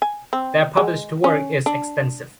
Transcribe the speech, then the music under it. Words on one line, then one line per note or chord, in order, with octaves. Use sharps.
Their published work is extensive.
G#5
C4
G#3
C#4
D4